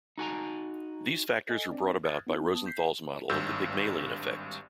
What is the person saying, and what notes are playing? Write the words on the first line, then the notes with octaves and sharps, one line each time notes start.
These factors were brought about by Rosenthal's model of the Pygmalion effect.
D#4 F#4 G#5 A#5
A4 D#5 G#5
C4 D4 D5
D#6 F6 F#6 G#6 A6
B3 D#4 E4
B3 A5 D#6
G6 B6 C7
G#1 G2 E6 G6